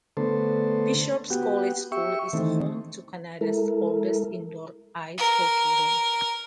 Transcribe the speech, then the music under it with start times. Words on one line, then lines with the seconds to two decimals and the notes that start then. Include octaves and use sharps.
Bishop's College School is home to Canada's oldest indoor ice hockey rink.
0.17 D3 A3 B3 A4 C5
1.30 B3 F#4 G4
1.92 G4 E5 C#6
2.33 D#3 E3 A3 C4
3.41 G#3 E4 A4 A#4
5.18 A#4